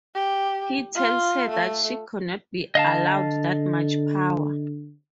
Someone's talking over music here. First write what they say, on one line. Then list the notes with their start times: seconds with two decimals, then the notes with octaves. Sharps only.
He tells her that she cannot be allowed that much power.
0.15 G4
0.96 F4
1.50 A3
2.75 D3 D#5 F5 A5